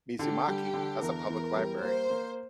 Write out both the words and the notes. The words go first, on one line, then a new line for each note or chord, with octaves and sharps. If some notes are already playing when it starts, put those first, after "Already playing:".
Mizumaki has a public library.
D3 G4
G3
D3
E2 A#4
E2
G3
A#3 C5
A#3